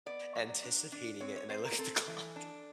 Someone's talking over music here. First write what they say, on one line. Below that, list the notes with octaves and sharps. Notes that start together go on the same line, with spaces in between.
anticipating it. And I look at the clock,
B3 D5
F#3
D4
D4
C4 C#5
C#5
C4 C5
A#4
C4 A4
E3
D4